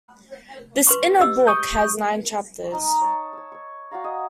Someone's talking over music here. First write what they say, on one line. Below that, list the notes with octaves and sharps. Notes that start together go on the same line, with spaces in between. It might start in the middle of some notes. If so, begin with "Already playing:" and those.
This "inner" book has nine chapters.
B4 C6 C#6
G4 D#5 E6
C#6 D#6 G6
D#4 A#4 A#5
C#5 A5
C#5 E6
C#5 C#6
F#4 D5 F5 A#5
D#5 G#5